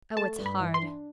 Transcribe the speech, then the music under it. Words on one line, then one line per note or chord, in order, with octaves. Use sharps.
Oh it's hard.
A3 A5
G2
B5
E3
C6
D4